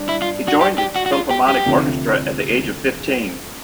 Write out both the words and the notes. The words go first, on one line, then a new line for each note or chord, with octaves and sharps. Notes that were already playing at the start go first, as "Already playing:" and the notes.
He joined its Philharmonic Orchestra at the age of fifteen.
Already playing: G3 D4
E4
F4
F#4
G4
G4
F#4
F#4
F4
G4
G4
D2 C3 F3